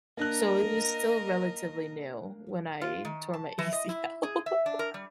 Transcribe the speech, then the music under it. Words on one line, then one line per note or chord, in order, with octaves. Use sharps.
so it was still relatively new when I tore my ACL.
A#3 D4 A#4 D#5 F#6
F4
D#3
A5
E3
D#5
E4
G#4
E5
D4
A#4
G3